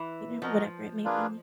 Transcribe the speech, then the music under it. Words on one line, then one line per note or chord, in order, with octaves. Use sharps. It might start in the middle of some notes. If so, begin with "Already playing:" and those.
you know, whatever it may be.
Already playing: E3
F3 F#4 A#4 D#5
A#3 D4 F4 G#4 B4